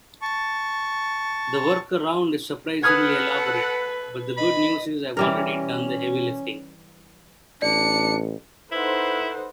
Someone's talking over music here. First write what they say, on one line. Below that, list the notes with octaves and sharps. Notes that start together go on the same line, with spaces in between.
The workaround is surprisingly elaborate, but the good news is I've already done the heavy lifting.
A5 C#6
A4 B4 F#5 D#6 F6 G#6
D#5 B5
E3 G3 C#4 A#4
A1 D4 D5 C#7
D#4 E4 A4 B4 C5 F#5